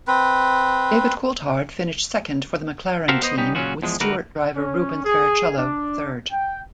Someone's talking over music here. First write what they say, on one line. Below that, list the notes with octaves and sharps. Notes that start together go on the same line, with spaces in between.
David Coulthard finished second for the McLaren team with Stewart driver Rubens Barrichello third.
C4 B4
F#4 G4 A4 A#4 C5 F5
B3 C5 D#5
G3 B3 C#4 D#4 G4
A#2 C#3 F#3 C#4 F4 F#4
E2 F3 G#3
D3 G3 A3 F#4 A#4 B4
C#4
G#4
D4
G5